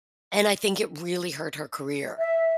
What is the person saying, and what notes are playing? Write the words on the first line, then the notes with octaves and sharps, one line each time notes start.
And I think it really hurt her career.
E5